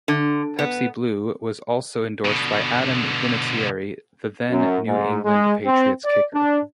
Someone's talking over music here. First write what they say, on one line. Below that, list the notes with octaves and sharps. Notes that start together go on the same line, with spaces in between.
Pepsi Blue was also endorsed by Adam Vinatieri, the then New England Patriots kicker.
D3
B3
B2 D3
F#2
G#2
G#3
C4
D5
D4